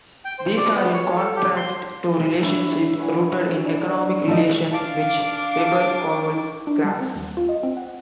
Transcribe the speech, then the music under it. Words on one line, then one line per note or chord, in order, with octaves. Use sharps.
These are in contrast to relationships rooted in economic relations, which Weber calls class.
G5
C5
D5
B3
C#5
A4
G4
C6
D4 E4 C#5
E3 C#5 F#5
D4
F3 D#4 A4
D4 F5 A5 D6
D4
G3
C4
D#2
F4
D#5
C4
F#5